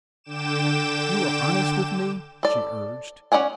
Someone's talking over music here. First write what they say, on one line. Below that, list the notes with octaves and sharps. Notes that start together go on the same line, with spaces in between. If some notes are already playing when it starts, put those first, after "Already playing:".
"You are honest with me?" she urged.
D3 G5 D6 E7
A4 D5
C#4 E4 D5 F#5 G#5